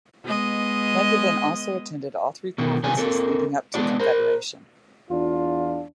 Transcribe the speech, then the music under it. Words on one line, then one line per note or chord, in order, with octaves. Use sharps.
Langevin also attended all three conferences leading up to Confederation.
G#3 B3 D#5
B2 D3 D#3
C3 D#3 G3 B3 D4 G#5
C4 A4 A#4
G#3 B3 C#4 D4 F#4 D5
A#4 C5
E2 D4 F4